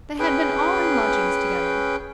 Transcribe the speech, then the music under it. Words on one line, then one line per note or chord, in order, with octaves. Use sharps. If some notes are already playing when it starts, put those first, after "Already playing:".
They had been all in lodgings together.
C#4 G#4 B4 G5